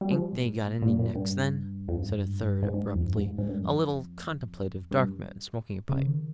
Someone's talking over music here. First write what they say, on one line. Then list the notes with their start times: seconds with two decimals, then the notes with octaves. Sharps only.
"Ain't they got any necks, then?" said a third, abruptly--a little, contemplative, dark man, smoking a pipe.
0.01 G3
0.11 F3
0.22 G3
0.33 A#2
0.44 G2
0.54 G#2
0.66 A#2
0.82 A#2
0.99 A#2
1.15 G2
1.88 F2
1.97 G2
2.07 G#2
2.18 G2
2.62 G#2
2.74 G#2
2.84 G2
2.95 F2
3.06 G2
3.16 G#2
3.38 G#2
3.49 G2
3.61 F2
4.91 G2
5.89 C#3
6.06 D#3